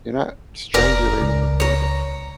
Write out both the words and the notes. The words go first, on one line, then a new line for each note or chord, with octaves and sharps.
you're not strangulating the balloon,
F1 A#4 D5 A#5
C#2
C#5 A#5